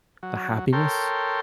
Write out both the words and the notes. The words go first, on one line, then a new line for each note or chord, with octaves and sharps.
the happiness,
F#3
A4 A#4 C#5 G5 C6